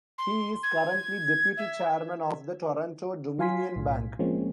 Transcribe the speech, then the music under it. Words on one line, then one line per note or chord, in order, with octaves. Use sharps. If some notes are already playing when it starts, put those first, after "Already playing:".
He is currently Deputy Chairman of the Toronto-Dominion Bank.
C6
G#6
E5
F#3 F4 F5 G#5 C6 B6
B1 A2
F3 G#3 A#3 C4 C#4